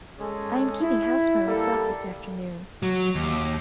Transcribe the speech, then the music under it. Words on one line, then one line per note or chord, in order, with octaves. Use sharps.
I am keeping house by myself this afternoon.
G#3 C#4 G#4 A4
E4
G3 A#3 A4
F#3
D#2